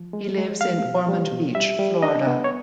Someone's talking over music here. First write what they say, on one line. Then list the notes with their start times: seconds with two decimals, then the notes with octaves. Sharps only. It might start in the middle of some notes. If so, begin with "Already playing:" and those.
He lives in Ormond Beach, Florida.
Already playing: F3
0.13 G#3
0.38 G#3
0.61 G3 F5
0.85 B2
1.08 G3
1.32 B2
1.55 G3 E5
1.79 G3
2.03 D4 D#5
2.27 B3
2.44 C#5